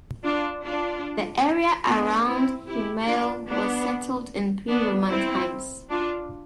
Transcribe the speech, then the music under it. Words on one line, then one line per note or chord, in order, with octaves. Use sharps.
The area around Hemau was settled in pre-Roman times.
D4 F4
D4 F4
B3 D4
C4 E4
E4 G4
D4 F4
B3 D4
B3 D4
C4 E4
D4 F4